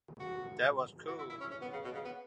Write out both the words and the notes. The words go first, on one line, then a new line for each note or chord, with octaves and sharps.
That was cool.
F#4
F#4
E4
E4
C#4
C#4
B3
C#3
B2
C#3
B3